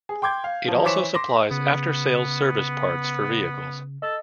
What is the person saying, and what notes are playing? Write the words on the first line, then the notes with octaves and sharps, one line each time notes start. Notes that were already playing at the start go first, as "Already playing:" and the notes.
It also supplies after-sales service parts for vehicles.
G#4
G5 C6 D6 G6 G#6
F5
F3 F#3
E3 C5 C#5 D6 B6 E7
C6 D6 A#6
C#3 B3
A4 D#5